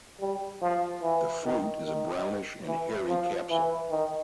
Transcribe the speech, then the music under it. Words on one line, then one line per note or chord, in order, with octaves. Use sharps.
The fruit is a brownish and hairy capsule.
G3
F3
E3
D#3
D#3
E3
F3
E3
D#3